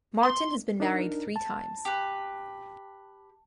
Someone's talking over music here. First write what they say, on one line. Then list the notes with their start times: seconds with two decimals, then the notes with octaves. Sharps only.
Marton has been married three times.
0.23 C6
0.80 D4 D#4 A#4
1.36 A5
1.85 G4 B4